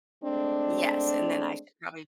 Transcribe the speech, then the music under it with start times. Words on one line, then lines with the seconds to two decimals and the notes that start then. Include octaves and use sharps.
Yes, and then I should probably
0.24 G#3 A3 C4 D4